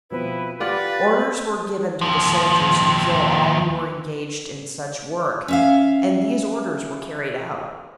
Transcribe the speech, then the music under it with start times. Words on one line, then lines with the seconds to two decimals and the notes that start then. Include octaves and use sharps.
Orders were given to the soldiers to kill all who were engaged in such work, and these orders were carried out.
0.11 B2 F3 C4 E4 B4
0.60 F4 G4 B4 D5 F#5 D6 A6
2.01 D#2 F3
5.48 C#4 E5 F5